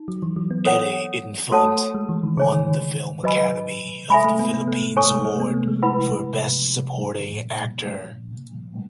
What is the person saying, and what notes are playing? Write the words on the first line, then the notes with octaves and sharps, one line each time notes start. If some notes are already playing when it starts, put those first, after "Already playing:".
Eddie Infante won the Film Academy of the Philippines Award for Best Supporting Actor.
Already playing: D#4
F#3
E3
F#3
B3
A4 C#5 F#5
A3 F#4 A4 C#5 F#5 A5
G#3
E3
D#3
C#3 G#4 C#5 G#5
D#3
D#3
F#3 B4 D#5 G#5 B5
G#3 A4 E5 G#5 B5
A3
B3
B3
A3
A3
A3 A4 C#5 G#5 C#6
G#3
A3
B3
A3
G#3
E4 B4 F#5 B5